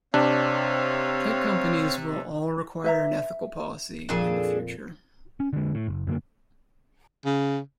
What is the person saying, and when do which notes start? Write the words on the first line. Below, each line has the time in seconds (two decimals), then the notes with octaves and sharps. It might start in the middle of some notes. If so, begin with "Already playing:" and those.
Tech companies will all require an ethical policy in the future.
0.14 C3 C4 D4 C#5 F5
2.84 B4 E5 A#5
4.09 F2 A#2 D4 G#4 A4
5.40 C#4
5.53 D3 G#3
5.75 A2
5.87 F#1
6.07 F#2 D3 G#3 A#3
7.25 C#3